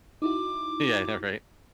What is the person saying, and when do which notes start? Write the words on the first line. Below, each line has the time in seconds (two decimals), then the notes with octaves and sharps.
Yeah, I know, right?
0.22 D#4 E4 F#4 D6